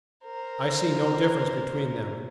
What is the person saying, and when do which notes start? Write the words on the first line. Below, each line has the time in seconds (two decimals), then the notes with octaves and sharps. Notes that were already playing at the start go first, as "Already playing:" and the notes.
I see no difference between them.
0.24 A#4 C5